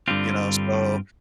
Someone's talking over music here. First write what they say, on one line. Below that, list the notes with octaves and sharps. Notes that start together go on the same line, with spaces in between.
you know, so,
G2 D3 G3 C4 F4